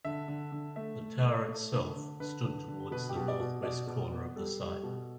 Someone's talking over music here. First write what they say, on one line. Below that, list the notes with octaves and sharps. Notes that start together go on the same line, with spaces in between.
The tower itself stood towards the north west corner of the site.
D3 E5
D3
D3
A3 E5
A3
A3
A3
D3
D3
D3 B4
D3
D3
B2 B4
G4
B2
D5
B2
B2 D5
B2
B3
G3 A4
G3
B2